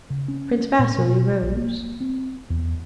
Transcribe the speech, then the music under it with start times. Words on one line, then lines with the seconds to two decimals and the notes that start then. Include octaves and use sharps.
Prince Vasili rose.
0.10 C#3
0.28 C#4
0.79 A#2
0.98 B2
1.42 A#1
1.56 A#3
2.00 C4
2.50 E2